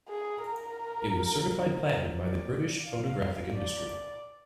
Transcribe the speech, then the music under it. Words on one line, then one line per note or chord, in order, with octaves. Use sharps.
It was Certified Platinum by the British Phonographic Industry.
G#4
A#4
D5
F5
D5